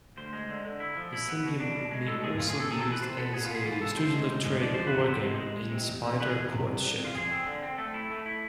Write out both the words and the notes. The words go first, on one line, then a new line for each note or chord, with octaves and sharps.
The cymbium may also be used as a stridulatory organ in spider courtship.
D2 C5
G#3
D3
D3
E4
F3
E4
B3
B2
D4
B2
G#3
A2 A4
A2 G#4
A2 F4
G#4
A2
A4
C3 G#4
A4
E3
B4
C3 C5
B3 A4
B3 G#4
F4
B3 G#4
E3 F4
C3 A4
A2 C5
G#3
A2
G#3
F3 D5
E2 C5
B4
B3
C5
C3
G#3 C5
G#3
G#3
C3
E2
D3
E2 B4
G#4
E2
C3
C2
C2
C2
F4
F2 G#4
C4
D3
C4
A3 A4
E4
A3
E4